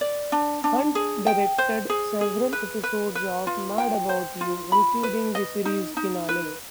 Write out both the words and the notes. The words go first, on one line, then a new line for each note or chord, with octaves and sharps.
Hunt directed several episodes of "Mad About You", including the series finale.
D5
D4
D4
G#4
G5
C5
G#4
G#4
B4
B4
B4
F4
G5
C5
F4
B5
B4
D#5
D#4
D#4
B4